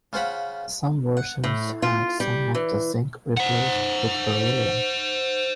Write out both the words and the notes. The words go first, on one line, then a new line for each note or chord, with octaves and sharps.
Some versions had some of the zinc replaced with beryllium.
C#3 F4 C5 F#5 B5
F#5
A2
F4
G3
E3
C5 F#5